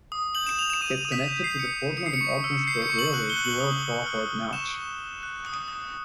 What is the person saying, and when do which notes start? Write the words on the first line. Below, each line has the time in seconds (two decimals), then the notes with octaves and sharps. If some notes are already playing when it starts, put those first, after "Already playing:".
It connected to the Portland and Ogdensburg Railway below Crawford Notch.
0.12 D#6
0.35 G6 F#7
0.46 E7
0.58 G6 F7
0.70 E7
0.81 D#6 D#7
0.98 F7
1.05 D#6
1.12 B6
1.28 G6 B6
1.44 C7
1.52 G6
1.59 C#7
1.74 D#6
1.97 D#6 C#7
2.06 C7
2.14 C#7
2.21 C#6
2.44 E6
2.67 G6 C7
2.82 C#7
2.90 C#6
2.99 F#7
3.13 F#6 F#7
3.30 G7
3.36 F#6
3.45 F#7
3.60 D#6
3.83 D#6
4.06 F6
4.30 F6
4.53 C#6 E7
4.77 C#6
4.99 F#6
5.23 F#6
5.46 D#6
5.68 D#6